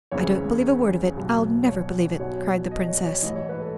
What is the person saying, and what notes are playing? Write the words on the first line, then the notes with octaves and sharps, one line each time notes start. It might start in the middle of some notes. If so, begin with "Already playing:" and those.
"I don't believe a word of it,--I'll never believe it," cried the Princess.
F#1 E2 C#3 E3 C#5
B1 B2 F#3
C#5
B1 B2 F#3 C#5
C#5
C#5
D#5
C#5
C#5
A1 G#2 E3 D#5
C#5
B4
A4